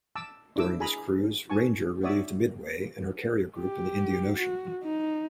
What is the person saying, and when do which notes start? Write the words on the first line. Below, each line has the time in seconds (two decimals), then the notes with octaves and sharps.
During this cruise, "Ranger" relieved "Midway" and her carrier group in the Indian Ocean.
0.16 A5 D6 E6
0.56 D4 E4 D6 E6
0.80 G#4 G#5 A#5 B5
1.50 G#5 A5 C#6
2.03 F#4 C#5 D5 E5 D#6
3.60 G4
4.39 F#4
4.84 D#4